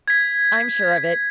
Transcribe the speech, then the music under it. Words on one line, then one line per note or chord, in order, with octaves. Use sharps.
I'm sure of it.
G#6 B6